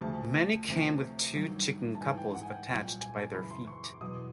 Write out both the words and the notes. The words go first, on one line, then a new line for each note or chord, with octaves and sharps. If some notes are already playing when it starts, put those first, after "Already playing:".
Many came with two chicken couples attached by their feet.
D2 C#3 F3 A5
D2 C3 F3
G2 D#3 F#3
A5
G#2 E3 G#5
G5
F#5
G#5
G5
C2 A#2 F#3 G#5
G5
G#5
A5
F#2 C#3 E3 B5
C6
C#6
D6
E2 B2 F#3 D#6